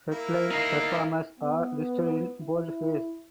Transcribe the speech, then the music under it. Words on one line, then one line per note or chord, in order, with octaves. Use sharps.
Headline performers are listed in Boldface.
A#3 E4 A#4
D#4 F5
B3
E4